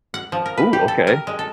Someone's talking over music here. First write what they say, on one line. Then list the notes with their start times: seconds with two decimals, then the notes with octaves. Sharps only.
Ooh, okay.
0.14 F#5
0.32 F3
0.46 A#4
0.57 B4
0.73 G4
0.88 A4
1.07 A#4
1.27 G#3
1.39 A4